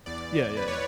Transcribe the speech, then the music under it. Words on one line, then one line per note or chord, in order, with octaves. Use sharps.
Yeah, yeah, yeah.
E2 D5
E2
B4
C#5